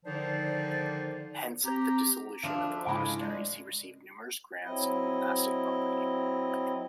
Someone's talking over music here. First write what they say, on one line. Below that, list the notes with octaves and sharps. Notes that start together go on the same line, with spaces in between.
Hence at the Dissolution of the Monasteries he received numerous grants of monastic property.
D3 D#3 F3 D#4 C5 D5
C4 G4 A#5
F3 D4 E5
A4 C5
G#2 C#3 G#3 E4 B5 D7
G#3 D5
F#3 C4 E4 D#5